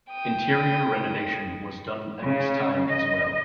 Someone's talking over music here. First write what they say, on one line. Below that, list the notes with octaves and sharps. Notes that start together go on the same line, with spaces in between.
Interior renovation was done at this time as well.
G5 D#6
C#3
D#5